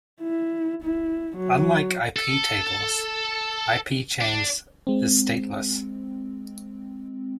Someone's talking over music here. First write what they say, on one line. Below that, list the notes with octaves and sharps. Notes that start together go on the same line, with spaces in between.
Unlike iptables, ipchains is stateless.
E4
E4
F#3
A4
D4
G#3 C4